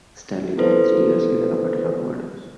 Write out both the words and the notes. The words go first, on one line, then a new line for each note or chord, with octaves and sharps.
Staley died three years later of a drug overdose.
B3 E4 A4 B4 C5